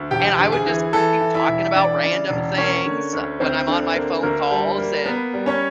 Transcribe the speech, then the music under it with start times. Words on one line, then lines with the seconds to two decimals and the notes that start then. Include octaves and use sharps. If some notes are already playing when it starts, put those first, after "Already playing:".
and I would just keep talking about random things when I'm on my phone calls and
Already playing: D2
0.11 E1 G4 G5
0.38 D2
0.52 G#4 G#5
0.66 E3
0.93 E3 A4 A5
1.21 E3
1.34 E4 E5
1.48 E1
1.75 E3 D4 D5
2.04 C#3
2.30 E1
2.58 A#3 C#4 C#5
2.86 D3
3.13 D2
3.40 D2 C4 C5
3.68 D3
3.96 A#3
4.23 D2 A#3 A#4
4.51 G3
4.78 A#3
5.06 A#3 B3 B4
5.34 G3
5.46 C#4 C#5